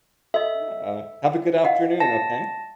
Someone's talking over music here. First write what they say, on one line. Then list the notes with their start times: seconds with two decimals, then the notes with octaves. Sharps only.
Yeah, have a good afternoon, okay?
0.34 A4 D#5 E5
1.65 D#5 F5 F#5
2.00 A5 A#6